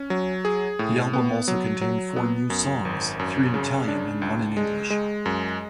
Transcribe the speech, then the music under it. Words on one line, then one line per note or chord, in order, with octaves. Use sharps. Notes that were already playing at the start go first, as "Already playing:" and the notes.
The album also contained four new songs; three in Italian and one in English.
Already playing: C#4
F#3
G#4
A2
B3
F#3
F#3
B3
F#2
G#1
F#2
C#3
D4
C#2
G#3
G#3
F#2